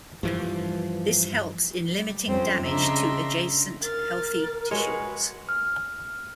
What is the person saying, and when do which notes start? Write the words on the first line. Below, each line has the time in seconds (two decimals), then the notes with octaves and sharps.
This helps in limiting damage to adjacent healthy tissues.
0.23 G2 E3 F3
1.91 G3
2.27 F2 C4 C#4
2.64 C#3 D4 D#5 E5 A#5 C6
3.82 A#4 F6 A6
4.71 G#3 F#4 B4 C#5
5.49 F6